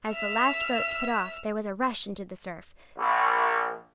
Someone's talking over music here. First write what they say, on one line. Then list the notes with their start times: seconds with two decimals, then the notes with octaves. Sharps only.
As the last boats put off there was a rush into the surf.
0.11 E5 E6 F6
2.97 A#1